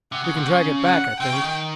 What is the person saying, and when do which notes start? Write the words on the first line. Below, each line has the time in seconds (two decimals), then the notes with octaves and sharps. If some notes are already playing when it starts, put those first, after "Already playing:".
We can drag it back, I think.
0.12 C3 F#5
0.24 C#3
0.36 C3
0.48 C#3
0.84 F#5
1.20 C3 G5
1.32 C#3
1.43 D#3